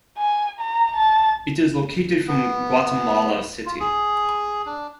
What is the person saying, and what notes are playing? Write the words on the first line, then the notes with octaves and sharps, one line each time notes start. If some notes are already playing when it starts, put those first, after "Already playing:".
It is located from Guatemala City.
G#5
A#5
A5
B3
F4
G#4
D4